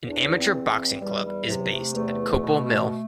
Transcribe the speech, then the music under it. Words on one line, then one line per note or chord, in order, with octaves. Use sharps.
An amateur boxing club is based at Coppull Mill.
E2 D4
C4
E2
C4
E2 G3
G3
C3 F#3
A3
E2 A3
B2